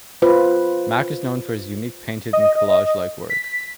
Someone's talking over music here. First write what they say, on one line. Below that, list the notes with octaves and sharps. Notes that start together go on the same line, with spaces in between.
Mack is known for his unique painted and collage-like work.
F4 B4 C5
D#5
B6